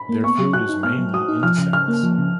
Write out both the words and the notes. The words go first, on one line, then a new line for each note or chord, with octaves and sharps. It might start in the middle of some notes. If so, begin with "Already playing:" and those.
Their food is mainly insects.
Already playing: B5
A#3
B3 C#6
F#3
F#4 F#6
D#4
B3 F6
F#3
F#4 D#6
D#4
F3 F6
C#3
C#3 F6
A#3
F3
C#3